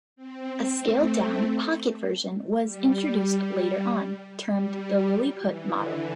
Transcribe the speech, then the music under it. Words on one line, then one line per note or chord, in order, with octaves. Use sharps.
A scaled down pocket version was introduced later on, termed the "Lilliput" model.
C4
A3
G3
G3
F#3
E3
D3